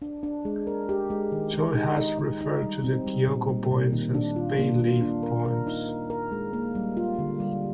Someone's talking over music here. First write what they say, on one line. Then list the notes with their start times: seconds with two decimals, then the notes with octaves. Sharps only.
Choi has referred to the Kyoko poems as "bay leaf" poems.
0.02 D4
0.23 D4
0.45 G#3
0.67 A#4
0.89 G4
1.10 G#3
1.32 D#3
1.54 G#3
1.75 D#4
1.97 D#4
2.19 D#4
2.41 D#4
2.62 G3
2.84 C4
3.06 G3
3.28 A#2
3.49 G3
3.71 A#2
3.93 D#3
4.14 D4
4.36 F4
4.58 A#3
4.79 F4
5.02 D4
5.23 A#4
5.45 A#4
5.67 D#4
5.89 A#4
6.10 A#4
6.32 G#3
6.53 A#3
6.75 G3
6.97 F4
7.19 D3
7.40 G3